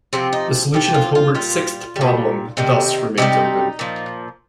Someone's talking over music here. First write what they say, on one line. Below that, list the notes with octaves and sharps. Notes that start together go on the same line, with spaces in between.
The solution of Hilbert's sixth problem thus remains open.
C3 F3 C4
D#4
C3 F3 G4
F4
F4
A#2 G3 F4
G3
A#2
C3 D#3 G3
C3 D#3 G3 D#4
A#2 F3